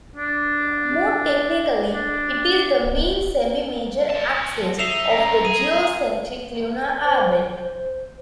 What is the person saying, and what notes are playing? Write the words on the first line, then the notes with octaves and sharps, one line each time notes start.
More technically, it is the mean semi-major axis of the geocentric lunar orbit.
D4
D4
C4 A5
D#4 E5 C7 E7 F7
F#2 A#5
G#4 D#7
C5